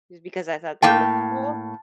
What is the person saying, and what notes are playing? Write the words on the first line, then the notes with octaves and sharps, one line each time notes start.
just because I thought they looked cool.
A2 A#3 G5 A5